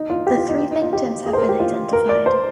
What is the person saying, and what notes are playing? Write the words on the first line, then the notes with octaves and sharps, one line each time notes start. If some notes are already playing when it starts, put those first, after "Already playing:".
The three victims have been identified.
Already playing: D#4
F4
G4
F4
D#4
D#4
F4
G4
G#4
C5
A#4
G4
F4
A#4
D5
C5